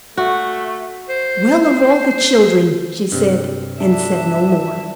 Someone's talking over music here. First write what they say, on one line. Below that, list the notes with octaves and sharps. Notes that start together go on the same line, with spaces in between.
"Well! of all the children!" she said, and said no more.
A3 F#4
C5
G2 C3
G3 D4 E5